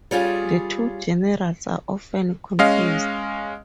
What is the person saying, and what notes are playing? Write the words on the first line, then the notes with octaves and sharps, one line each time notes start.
The two generals are often confused.
G3 C#4 F4 G#4
G#3 C#4 D#5 F5